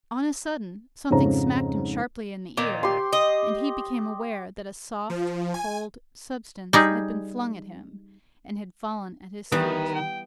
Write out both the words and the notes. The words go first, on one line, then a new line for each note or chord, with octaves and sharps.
On a sudden something smacked him sharply in the ear, and he became aware that a soft cold substance had been flung at him, and had fallen at his feet.
F2 G#2 C#3 C#5 A#5
A#2 D#3 D6
G4 C6
D#5
F3
G#5
G3 D#4 G#4
D#3 E3 G3 B3 B4
G5